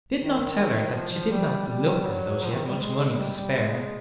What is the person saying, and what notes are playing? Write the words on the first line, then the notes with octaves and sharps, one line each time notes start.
But he did not tell her that she did not look as though she had much money to spare.
D#3
F3
F3
G3
G3
F#3
F3
D#3
G3
G#3
G3
G3
G#3